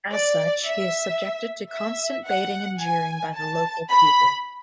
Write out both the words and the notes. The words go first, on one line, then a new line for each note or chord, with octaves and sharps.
As such, he is subjected to constant baiting and jeering by the local people.
D5
E5
E5
F#5
G#5
A5
B5